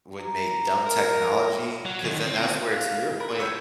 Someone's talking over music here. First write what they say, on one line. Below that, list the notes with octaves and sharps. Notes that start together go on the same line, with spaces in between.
would make dumb technology. 'Cause then that's where to your point
A#5
A#4
F#3
D2 D#3
C4
G4 F5 F#6
A#4 B5
A4 C#5 F5 G5